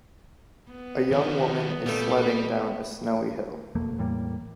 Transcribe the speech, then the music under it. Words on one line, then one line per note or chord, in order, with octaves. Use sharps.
A young woman is sledding down a snowy hill.
B3
D#3 F3
A#2 G3 A3
E1 F2 A3 A#3
E2 A2 G3 A#3